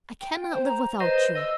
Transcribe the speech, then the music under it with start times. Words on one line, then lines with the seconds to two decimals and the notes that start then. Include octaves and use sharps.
I cannot live without you!
0.20 G5
0.51 C5
0.65 A#5
1.00 B4 C5 D#5
1.35 D#5 E6